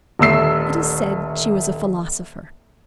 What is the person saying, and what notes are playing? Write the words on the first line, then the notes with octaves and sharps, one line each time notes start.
It is said she was a philosopher.
D#1 D3 A3 E6 C7